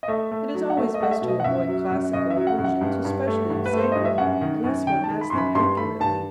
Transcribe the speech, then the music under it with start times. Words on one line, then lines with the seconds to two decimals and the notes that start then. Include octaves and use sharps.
It is always best to avoid classical allusions, especially if sacred, unless one has them accurately.
0.03 D#5
0.08 A3 E5
0.32 A3
0.55 F#3
0.70 F#5
0.77 A3 E5
0.94 D#5
1.00 A3 F#5
1.11 E5
1.22 B2
1.28 D#5
1.40 F#5
1.44 F#2 E5
1.68 F#3
1.90 F#2
2.13 F#2 D#5
2.30 E5
2.37 F#3
2.47 F#5
2.58 F#2
2.64 F#5
2.81 G2
3.05 G2
3.27 A3
3.50 G2
3.66 B4
3.73 A3 C5
3.92 G2 D#5
4.05 E5
4.18 F#2 F#5
4.41 D#3
4.64 F#2
4.87 D#3 G5
5.04 A5
5.09 D#3
5.21 B5
5.30 F#2 C6
5.38 B5
5.55 G2 C6
5.77 A3 B5
6.00 G2 A5